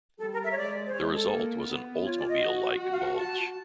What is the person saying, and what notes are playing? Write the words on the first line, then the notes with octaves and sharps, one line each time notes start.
The result was an Oldsmobile-like "bulge".
G3 A4
A#4
E5
C#5
G#3 D5
C5
G#3 C#5
A4
A#3
B3
F4 C#5
D5
D#5
F#4
F5
F#5
A5